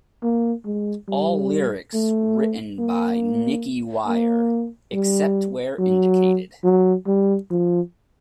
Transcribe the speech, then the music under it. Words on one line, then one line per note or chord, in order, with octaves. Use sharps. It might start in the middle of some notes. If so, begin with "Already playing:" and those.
All lyrics written by Nicky Wire; except where indicated.
A#3
G#3
G3
A3
A#3
A#3
G3
F#3
F#3
G3
F3